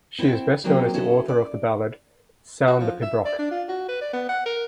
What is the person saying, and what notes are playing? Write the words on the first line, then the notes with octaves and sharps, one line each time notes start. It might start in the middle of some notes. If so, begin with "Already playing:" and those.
She is best known as the author of the ballad "Sound the Pibroch".
C4 E4 C5 C#5 F#5 G5
D#3 F#3 A#3 C4 G#4 G5
C#4 E4 F#4 G#4 A4
D5
F#4
F3
E5
D5
D4
F4
F#4
B4
D5
B3
F#5
A#4